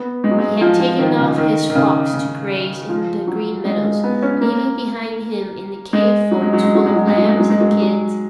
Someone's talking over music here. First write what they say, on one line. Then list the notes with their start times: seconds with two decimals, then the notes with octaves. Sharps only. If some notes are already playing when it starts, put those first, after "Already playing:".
He had taken off his flocks to graze in the green meadows, leaving behind him in the cave folds full of lambs and kids.
Already playing: B3
0.24 G#3
0.31 F#3
0.38 G#3
0.61 F3
0.80 F3
0.99 D#3
1.19 C#3
1.38 D#3
1.70 D#3
1.75 C#3
2.14 C#3
2.89 F3
3.27 F#3
3.65 G#3
3.84 G#3
4.03 B3
4.22 C#4
4.41 A#3
5.93 G#3
6.31 F#3
6.42 G#3
6.53 F#3
6.63 G#3
6.75 F#3
6.86 G#3
6.96 F#3
7.07 G#3
7.18 F#3
7.29 G#3
7.39 F#3
7.50 G#3
7.61 F#3
7.71 G#3
7.82 F#3